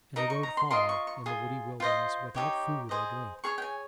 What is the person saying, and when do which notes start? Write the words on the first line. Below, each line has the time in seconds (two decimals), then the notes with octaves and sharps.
And he rode far in the woody wilderness without food or drink.
0.16 D#4 A#4 D#5 A#5
0.30 C#6
0.43 A#5
0.57 C6
0.71 F4 A#4 D#5 C6
0.89 C#6
1.07 C#6
1.26 F4 G#4
1.80 F4 C5 D#5
2.35 D#4 G4 C#5
2.89 G#4 C5 D#5
3.44 G#4 C#5 C#6
3.58 G5
3.62 G#5